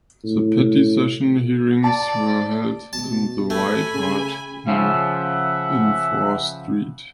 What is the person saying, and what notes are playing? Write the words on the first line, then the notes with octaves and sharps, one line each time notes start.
The petty session hearings were held in the White Hart Inn in Fore Street.
A2
D5 A5
B2 A5
A3 G#5 B5
C#3
C#3 F3 E5 F#5